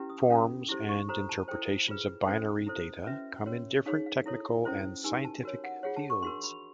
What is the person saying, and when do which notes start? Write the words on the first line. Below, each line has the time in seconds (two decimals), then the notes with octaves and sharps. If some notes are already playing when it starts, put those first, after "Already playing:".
Forms and interpretations of binary data come in different technical and scientific fields.
Already playing: C#4 E4 G4 B4
0.09 D#6
0.20 D6
0.30 C#4 F4 A4
0.69 E4 G4 C5 D6
0.89 C#6
1.08 F#4 A4 C5 A#5
1.29 A5
1.48 E4 A4 C5 G5
1.88 F4 G#4 B4
2.27 C#4 F#4 A4 C5 G5
2.66 E4 A4 C5
3.06 C#4 F#4 B4 E5
3.46 C#4 F#4 A#4 C#5
3.86 D#4 G#4 C#5 F5
4.06 F5
4.26 E4 A4 C#5
4.65 C#4 E4 A4 C5
5.04 D#4 G4 A#4 G#5
5.24 A5
5.43 F#4 A#4 C#5
5.64 F#5
5.83 F4 G#4 C#5 F#5
5.96 A5
6.10 C#6
6.22 D4 F#4 A#4 C6
6.43 B5